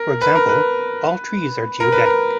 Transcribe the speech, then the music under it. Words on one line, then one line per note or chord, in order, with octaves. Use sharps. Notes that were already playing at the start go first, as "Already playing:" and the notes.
For example, all trees are geodetic.
Already playing: A#4
B4
A#4
B4
A#4
B4
A#4